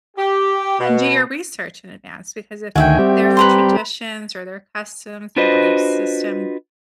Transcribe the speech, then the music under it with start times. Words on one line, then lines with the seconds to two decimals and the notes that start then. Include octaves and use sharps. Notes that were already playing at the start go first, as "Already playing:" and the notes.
and do your research in advance because if if their traditions or their customs or belief system
0.17 G4
0.79 B2
2.75 D2 D#3 F#4 E5 G5 G#5
2.99 G3 C4 G4
3.37 B4 A#5 C6
5.36 D4 F4 F#4 B4 C5 D#5